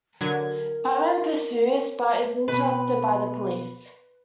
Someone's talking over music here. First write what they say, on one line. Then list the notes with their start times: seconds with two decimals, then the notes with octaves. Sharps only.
Batman pursues but is interrupted by the police.
0.21 D3 F#3 A#4 G#6
2.48 B2 B4